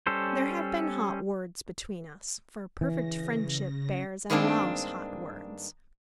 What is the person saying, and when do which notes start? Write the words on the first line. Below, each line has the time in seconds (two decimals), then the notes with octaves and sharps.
There have been hot words between us, for perfect friendship bears and allows hot words.
0.07 G3 C#4 A4 C5
2.81 C#3 E3 A#6
4.30 G2 D#3 G#3 A#3 C4 D4